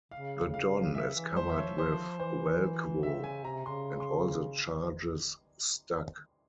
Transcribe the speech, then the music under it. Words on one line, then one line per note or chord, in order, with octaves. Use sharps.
The don is covered with Velcro, and all the charges stuck.
C#3 F5
F5
C#3 E5
E3
G3
F3 C5
E5
C#5
F3 C5
E3 C5
C#3 E5
G#5
C3 A#5
C#3 C6
C6